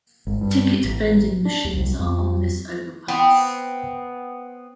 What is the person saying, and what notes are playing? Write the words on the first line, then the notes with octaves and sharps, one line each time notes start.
Ticket vending machines are on this overpass.
G#1
G2
A1
D4
D#2
C2
F2
B3 C4